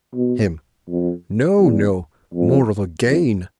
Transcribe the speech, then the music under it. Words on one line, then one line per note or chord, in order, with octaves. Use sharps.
HIM: No, no. More of a gain.
B2
F2
E2
F2
F2